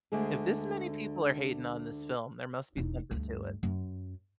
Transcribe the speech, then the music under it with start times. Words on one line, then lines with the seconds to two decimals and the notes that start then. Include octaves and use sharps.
if this many people are hating on this film, there must be something to it."
0.12 D2 D3 G#3 G#4
2.77 E1 D#4
3.11 D2 G2
3.63 F#2